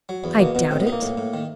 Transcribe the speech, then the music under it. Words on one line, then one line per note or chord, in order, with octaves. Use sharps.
"I doubt it."
F#3
E2
B2 A#3
B2 B3
A2 C4
B3
D#4
A#3
A2
A2
D#3